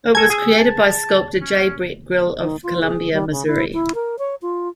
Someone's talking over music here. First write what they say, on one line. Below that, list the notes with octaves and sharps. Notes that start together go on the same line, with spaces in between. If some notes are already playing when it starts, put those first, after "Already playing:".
It was created by sculptor J. Brett Grill of Columbia, Mo.
A4 A#4 G#5 G#6
G#4 E6
A5
C#4
D#3
F4
G#4
G3
C#3
E4
E4
A#4
C#5
F4